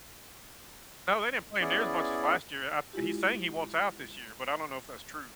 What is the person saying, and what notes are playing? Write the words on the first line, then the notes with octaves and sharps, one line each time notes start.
No, they didn't play him near as much as last year. I He's saying he wants out this year, but I don't know if that's true.
B3 C#4 E4 G#4 D5
G#3 E4 F4 G4